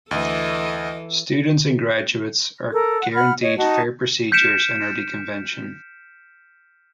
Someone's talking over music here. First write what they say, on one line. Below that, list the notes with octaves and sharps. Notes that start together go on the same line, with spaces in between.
Students and graduates are guaranteed fair procedures under the Convention.
D2 E3 A4 D#5
A4 A#4
F#5
F#5 B5 F6
C#5 D#5
D#4 F#4 D#5 A5
F6 G6 B6 C#7 D7 E7